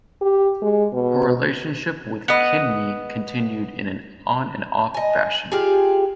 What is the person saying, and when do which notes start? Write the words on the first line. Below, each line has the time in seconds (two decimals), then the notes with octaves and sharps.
Her relationship with Kidney continued in an on-and-off fashion.
0.21 G4
0.62 G#3
0.93 B2
2.28 B3 D#5
4.94 D#5 G#5
5.52 F4 G4 G#4